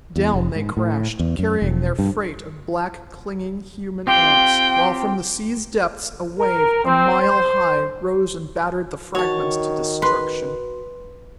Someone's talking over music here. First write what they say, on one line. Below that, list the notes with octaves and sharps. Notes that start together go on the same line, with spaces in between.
Down they crashed, carrying their freight of black, clinging, human ants, while from the sea's depths a wave, a mile high, rose and battered the fragments to destruction.
E2
F1
G#2
A2
E2
F#2
E1
G2
C4 F4 G4 G5
A#4
C4
C5
D#3 F#4 C#5 A5
B4 C6